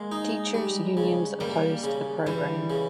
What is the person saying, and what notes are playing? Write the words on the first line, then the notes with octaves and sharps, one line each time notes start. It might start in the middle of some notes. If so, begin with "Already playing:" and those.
Teachers unions opposed the program.
Already playing: G#3 A#3
D#4
G3
C#3
G3 A#3
C#3
E3 G3
C#3